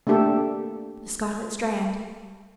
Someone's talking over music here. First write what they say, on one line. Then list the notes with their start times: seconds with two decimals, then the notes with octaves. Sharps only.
'The scarlet strand!
0.07 A3 A#3 D4 G4 A4